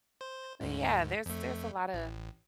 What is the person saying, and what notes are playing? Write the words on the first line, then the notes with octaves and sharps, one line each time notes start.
but, yeah, there's there's a lotta
C5
D2 G#2
F2 A3
A1